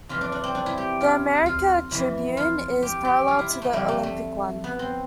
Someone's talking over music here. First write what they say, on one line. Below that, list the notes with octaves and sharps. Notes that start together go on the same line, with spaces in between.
The "America" Tribune is parallel to the" Olympic" one.
F2 E3 F4
D4
D4
C4
D4
E4
G4
F4
F4
F2 E3 E4
F4
G4
G4
F4
E4
E4
A3
F2 D3 G3
A3
A3
B3
C4